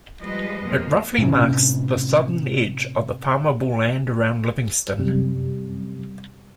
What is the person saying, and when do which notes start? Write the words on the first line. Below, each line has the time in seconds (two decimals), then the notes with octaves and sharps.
It roughly marks the southern edge of the farmable land around Livingston.
0.19 F3 G3 G#3 B4 D#5
0.62 F2 B2 F3 A#3
1.18 A2 C3 C#4
4.98 F#2 C3 G3